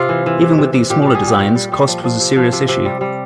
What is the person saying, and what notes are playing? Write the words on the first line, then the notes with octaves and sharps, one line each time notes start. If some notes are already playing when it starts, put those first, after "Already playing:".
Even with these smaller designs cost was a serious issue.
Already playing: C3 F4
E3
E3
C3
C3
C3
A#2 G4
G3 G4
G#4
A#2 G4
A#2
G3
G3
F3
F3
C3
F3
C3
C3
G3
G3